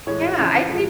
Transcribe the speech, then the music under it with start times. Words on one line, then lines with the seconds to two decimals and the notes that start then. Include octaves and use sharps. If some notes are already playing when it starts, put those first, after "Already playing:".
Yeah. I've seen
0.07 A2 E3 G#3 C#5
0.23 C#5
0.39 F2 C#3 E3
0.69 A2 F3 G#3